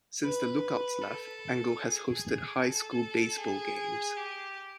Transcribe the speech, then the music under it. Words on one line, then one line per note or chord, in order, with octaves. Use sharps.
Since the Lookouts left, Engel has hosted high school baseball games.
B4
A4
G#4
A4
G#4
G4